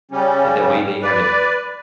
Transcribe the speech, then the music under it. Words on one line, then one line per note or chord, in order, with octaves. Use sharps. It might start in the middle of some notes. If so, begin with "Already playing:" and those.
The way that you have it
C#3 G3 C#4
B4 D5